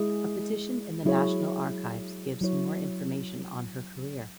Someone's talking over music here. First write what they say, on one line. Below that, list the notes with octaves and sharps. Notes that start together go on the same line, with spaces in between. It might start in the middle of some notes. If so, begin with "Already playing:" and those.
A petition in The National Archives gives more information on her career.
Already playing: G#3 E4 G#4
F#3 E4 G#4 C#5
F#3 E4 C#5